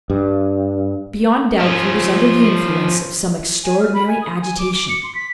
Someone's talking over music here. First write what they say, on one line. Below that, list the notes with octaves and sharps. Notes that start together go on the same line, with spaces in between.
Beyond doubt he was under the influence of some extraordinary agitation.
G2
F3 C#4
G#5
F6
B5
G#5
D#6
G#5
D6
D6
C#7
C6
B6